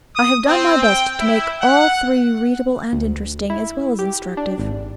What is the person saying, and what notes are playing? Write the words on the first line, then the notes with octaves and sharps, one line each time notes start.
I have done my best to make all three readable and interesting, as well as instructive.
D#6
C4
G5
E4
F#5
D2
E4
G4
D4
G#1